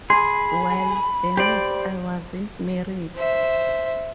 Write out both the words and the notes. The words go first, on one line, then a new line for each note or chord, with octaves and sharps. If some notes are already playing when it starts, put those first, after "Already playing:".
Well, damn it, I wasn't married.
G#4 B5 C6
G4 C5 D5
C5 E5